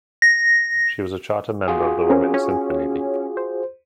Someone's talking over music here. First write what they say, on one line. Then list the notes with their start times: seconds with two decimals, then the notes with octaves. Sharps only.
She was a charter member of the Women's Symphony League.
0.22 A#6
1.68 F4 F#4 G#4
2.09 C4 C#4 A#4
2.34 C#4
3.37 C5